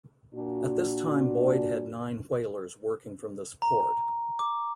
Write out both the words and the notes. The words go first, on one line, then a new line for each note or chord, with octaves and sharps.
At this time Boyd had nine whalers working from this port.
A#2 D4 F#4
A#5
D6